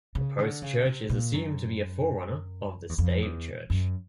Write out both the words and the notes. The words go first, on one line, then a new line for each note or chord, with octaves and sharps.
The post church is assumed to be a forerunner of the stave church.
C#3
D3
C#3
C3
A#2
F#2
E2
F2
E2
F#2